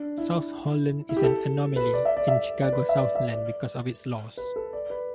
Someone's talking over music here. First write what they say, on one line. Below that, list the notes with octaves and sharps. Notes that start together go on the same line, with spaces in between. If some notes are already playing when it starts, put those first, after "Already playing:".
South Holland is an anomaly in Chicago Southland because of its laws.
Already playing: D4
E4
E4
G4
A4
B4
D5
E5
D5
E5
D5
B4
E5
D5
E5
D5
B4
A4
D5
B4